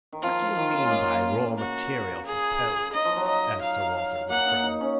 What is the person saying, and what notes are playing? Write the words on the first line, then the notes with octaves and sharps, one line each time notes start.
"What do you mean by raw material for poems?" asked Sir Walter, with a frown.
D#3
F3 F4
F3
D#3
C#3
G#3
A#3
F#4
G#4
D#4 D#5
F3
F#3
D#5
F5
A#3 F#5
D#4
D#4
C#4